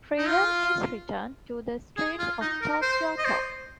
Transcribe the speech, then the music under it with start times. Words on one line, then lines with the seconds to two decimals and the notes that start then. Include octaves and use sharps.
Freedom is returned to the streets of Tokyo-to.
0.18 D#4
0.27 F4
1.97 G#4
2.19 F4
2.41 D#4
2.62 A#4
2.82 C5
3.18 D#5
3.25 C5